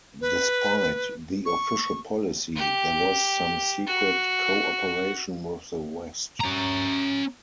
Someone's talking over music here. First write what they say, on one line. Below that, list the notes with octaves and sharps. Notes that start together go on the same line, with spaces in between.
Despite the official policy, there was some secret co-operation with the West.
B4
C#6
G4
F#4
C#4 A#5